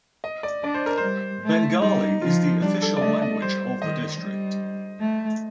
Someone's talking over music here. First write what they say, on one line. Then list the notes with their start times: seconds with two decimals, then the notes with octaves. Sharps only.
Bengali is the official language of the district.
0.24 D#5
0.43 D5
0.63 D4 D5
0.74 C5
0.86 A#4
0.98 C5
1.03 G3
1.43 A3
1.82 G3 D#4
2.02 D#4
2.22 F3 F4
2.62 G3 D4
2.82 A4
2.97 D5
3.01 A3 D#5
3.22 D#5
3.41 G3 C5
3.82 D#3 D#5
4.21 G3
5.00 A3